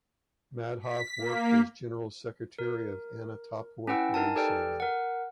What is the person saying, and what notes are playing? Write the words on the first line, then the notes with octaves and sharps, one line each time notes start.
Madhav worked as general secretary of Anantapur police union.
B6
A#3
A#4
C#4 E4 B4 F#5 G5 E6
D#4 A#4 G#5 A5
G4 A4 B4 D5 G5 F6
A#4 F#5